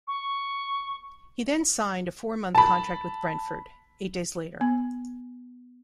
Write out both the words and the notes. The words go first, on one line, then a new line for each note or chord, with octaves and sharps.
He then signed a four-month contract with Brentford, eight days later.
C#6
A5 B5
B3